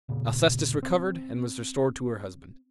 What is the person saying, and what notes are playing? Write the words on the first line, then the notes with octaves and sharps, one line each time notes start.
Alcestis recovered, and was restored to her husband.
E1 A#2 C#3
C4